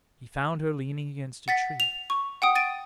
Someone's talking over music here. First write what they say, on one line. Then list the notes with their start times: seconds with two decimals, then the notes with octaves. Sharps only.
He found her leaning against a tree.
1.48 F#5 A6 B6
1.80 F7
2.10 C#6
2.42 F#5 G5 D#6
2.55 A6 D7 D#7